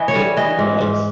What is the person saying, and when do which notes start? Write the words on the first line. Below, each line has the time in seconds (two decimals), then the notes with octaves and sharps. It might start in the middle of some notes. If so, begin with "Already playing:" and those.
it it was.
Already playing: E3 D#5
0.08 C#5
0.15 G3
0.37 E3 D#5
0.59 G#2
0.81 G#2